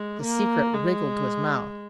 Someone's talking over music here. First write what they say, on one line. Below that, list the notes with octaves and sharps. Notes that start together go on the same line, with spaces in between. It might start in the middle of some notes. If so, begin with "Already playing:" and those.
The secret wriggled to his mouth.
Already playing: G#3
A#3
G#3